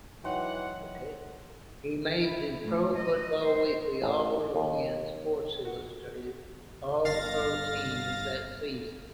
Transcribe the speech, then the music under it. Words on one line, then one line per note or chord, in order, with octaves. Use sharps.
He made the "Pro Football Weekly" All-Rookie and "Sports Illustrated" All-Pro teams that season.
E3 F#3 D#4 F#4 F#5 G5 C6
E4
A2
D#5
C5
A1
D#2
F#4
G1 F5 A6 A#6